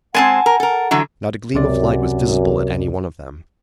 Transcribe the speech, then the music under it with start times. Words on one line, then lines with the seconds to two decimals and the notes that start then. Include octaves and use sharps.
Not a gleam of light was visible at any one of them.
0.14 G#3 A3 C4 F#5 G#5 A5
0.46 A#4
0.60 A4 A#4
0.91 D3 E3 F#3
1.54 C#2 F#2 C3 D5